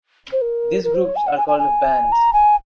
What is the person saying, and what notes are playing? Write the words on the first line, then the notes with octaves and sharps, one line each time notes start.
These groups are called bands.
C5
A#4
A#4
C5
C#5
G#5
F#5
G#5
G#5
G#5
A#5
G#5